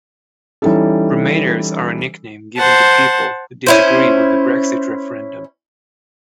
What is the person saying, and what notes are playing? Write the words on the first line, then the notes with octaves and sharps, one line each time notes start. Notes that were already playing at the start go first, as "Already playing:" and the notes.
Remainers are a nickname given to people who disagree with the Brexit referendum.
E3 G3 C#4 D#4 E4 A4
C5 F#5 A5
C#4 E4 C5